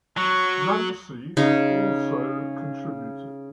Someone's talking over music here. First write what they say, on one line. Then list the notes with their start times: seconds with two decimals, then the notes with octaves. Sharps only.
Nancy also contributed.
0.17 F#3 C#6 F#6
1.37 C#3 D#4